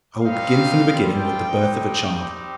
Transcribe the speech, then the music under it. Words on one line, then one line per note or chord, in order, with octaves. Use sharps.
I will begin from the beginning with the birth of a child.
G3 C4 D#4 F5
G3 C4 F4
G5
G3 C4 D#4
G5
G3 C4 D#4 G4